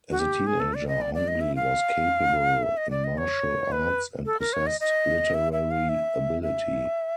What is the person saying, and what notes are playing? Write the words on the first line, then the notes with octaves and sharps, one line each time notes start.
As a teenager, Hongli was capable in martial arts and possessed literary ability.
F#4
G4
G#4
A4
D5
D#5
D5
D5
D#5
E5
F5
E5
D#5
D5
D#5
C#5
B4
A4
A#4
C#5
D#5
D#5
E5
E5
F5
E5
E5